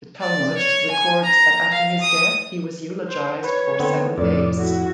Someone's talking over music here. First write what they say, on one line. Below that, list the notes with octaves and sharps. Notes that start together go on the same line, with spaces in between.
The Talmud records that after his death, he was eulogized for seven days.
D5
C#5
G#5
A#5
F5
D#6
C5
B4 C#5
D3 B3 C4
F2 A2 D5
E4 F#4